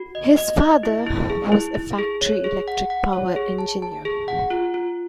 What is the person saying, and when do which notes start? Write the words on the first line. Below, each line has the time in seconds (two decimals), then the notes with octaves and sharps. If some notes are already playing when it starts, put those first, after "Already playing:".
His father was a factory electric power engineer.
Already playing: F#4
0.15 D#5
0.37 D#5
0.60 D#5
0.83 E4
1.07 E4
1.30 G#4
1.52 E4
1.75 E4
1.98 G#4
2.21 C#5
2.44 G#4
2.68 F#5
2.90 F#5
3.13 C#5
3.36 G#4
3.58 A5
3.82 A5
4.05 G#4
4.28 F#5
4.50 F4
4.74 F4